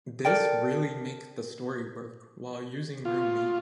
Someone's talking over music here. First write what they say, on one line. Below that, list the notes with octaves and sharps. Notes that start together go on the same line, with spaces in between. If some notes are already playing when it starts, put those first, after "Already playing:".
This really make the story work while using real meat.
A4 A#4 D5 G5
F4